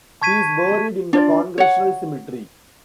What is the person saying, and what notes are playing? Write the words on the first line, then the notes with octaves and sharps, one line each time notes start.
He is buried in the Congressional Cemetery.
A5 C#6 G#6 B6 D#7
D4 F4 D5
C#5 F#5